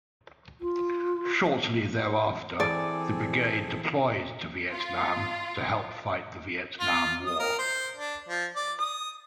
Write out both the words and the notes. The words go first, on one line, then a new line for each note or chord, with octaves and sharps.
Shortly thereafter, the brigade deployed to Vietnam to help fight the Vietnam War.
F4
E3 C4 G#4 A4 D5
F4
F4
D#6
A#4
C5
D4
F3
D5
D#6